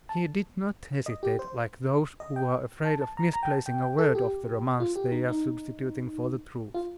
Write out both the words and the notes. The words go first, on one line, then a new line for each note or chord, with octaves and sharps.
He did not hesitate like those who are afraid of misplacing a word of the romance they are substituting for the truth.
A5
D#5
G4
C5
D#5
G5
A5
A5
A#5
A#5
G5
A5
G5
G5
A4
G4
F4
G4
D#4
D#4
F4